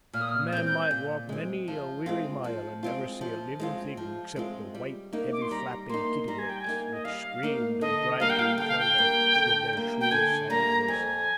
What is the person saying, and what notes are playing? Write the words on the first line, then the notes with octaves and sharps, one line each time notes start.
A man might walk many a weary mile and never see a living thing except the white, heavy-flapping kittiwakes, which screamed and cried to each other with their shrill, sad voices.
A#2 F6
D#6
F6
G#3 C4 G6
G6
A#2
G#3 C4
F3
G#3 C4 F4
F3
G#3 C4 F4
F3
G#3 C4 F4
F3
G#3 C4 F4
G3
A#3 D#4
D6
C6
G3 A#5
A#3 D#4 C6
G3 A#5
G#5
G5
G#5
A#3 D#4
D#5
G3 F5
A#3 D#4
D3 D#5
G3 A#3 F5
G5
F5
D3 G5
F5
G5
G3 A#3
D3
G3 A#3
G5
D3 G#5
G3 A#3 A#5
F2 G#5